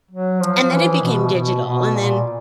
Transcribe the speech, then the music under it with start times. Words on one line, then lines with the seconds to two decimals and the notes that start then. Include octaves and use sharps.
and then it became digital and then,
0.11 F#3
0.42 F3
0.73 E3
1.03 B2
1.33 B2
1.65 B2
1.95 A#2